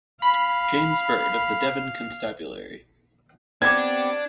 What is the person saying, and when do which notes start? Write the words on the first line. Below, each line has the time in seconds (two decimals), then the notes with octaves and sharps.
James Bird of the Devon constabulary.
0.22 F5 B5
3.62 B3 C4 D4 G4 G#6